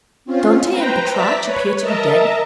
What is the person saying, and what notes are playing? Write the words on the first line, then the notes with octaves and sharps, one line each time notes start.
Dante and Petrarch appear to be dead.
C4 C#4 F4
B4 C5 G5 A#5
D5 E5 A5 A#5 B6
B4 C#5
A#4 D#5 E5 A5 A#5